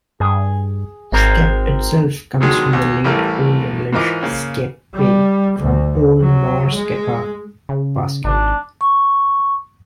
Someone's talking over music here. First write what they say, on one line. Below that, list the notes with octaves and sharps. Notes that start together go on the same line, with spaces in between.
'Skep' itself comes from the Late Old English "sceppe", from Old Norse skeppa 'basket'.
G2 G#4
G#1 G#3 C4 A#4
B2 D3 D#3 F#3 G#3 G#4
D#2
A1 E3 G3 A3 A#4
G#2 E3 F4 A#4 D#5 D6
C#3 A#3
G3
D2
F#3
G#3
C#3
G#1 D4
C#6